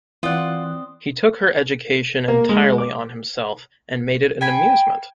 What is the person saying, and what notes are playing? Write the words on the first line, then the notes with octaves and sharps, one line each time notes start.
He took her education entirely on himself, and made it an amusement.
E3 C4 F4 D5 F#5 C6 D#6 F#6
A#3
G#3
D6
G5 G#5 B5